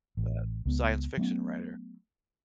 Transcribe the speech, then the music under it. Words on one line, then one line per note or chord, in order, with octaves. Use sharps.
the science fiction writer,
A1
C#2 B3
F#3 A3 B3 C#4